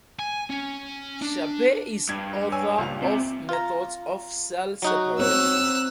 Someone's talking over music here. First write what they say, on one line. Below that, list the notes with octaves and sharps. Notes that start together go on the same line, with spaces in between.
Sharpe is author of "Methods of Cell Separation".
G#5
C#4
D4
G2 G#6
C#5 G#5 E6
C#2 A#2 F7
C3
F4 A#5
F#3 D#4 F#4
C4 C#5 E6 F#6